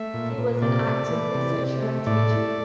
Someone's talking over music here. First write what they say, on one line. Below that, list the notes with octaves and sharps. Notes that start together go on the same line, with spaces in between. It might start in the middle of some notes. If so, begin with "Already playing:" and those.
He was an active researcher and teacher.
Already playing: A3 E5
A#2
A#2
C3 D5
A3
E3
C3
C3
A3
A2 D5
A3